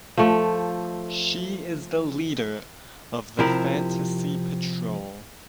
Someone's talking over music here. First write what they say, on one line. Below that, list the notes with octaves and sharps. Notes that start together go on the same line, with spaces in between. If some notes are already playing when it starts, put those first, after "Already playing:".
She is the leader of the Fantasy Patrol.
F3 A3
C3 F3 E4 A#4